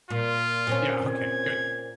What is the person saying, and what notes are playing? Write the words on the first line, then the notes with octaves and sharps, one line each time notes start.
Yeah, okay, good.
A#2 F4
A#2 C4 C#4
G#6